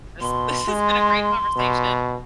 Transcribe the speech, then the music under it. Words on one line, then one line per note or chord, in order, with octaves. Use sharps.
This this has been a great conversation.
B2 C6
G#3
B2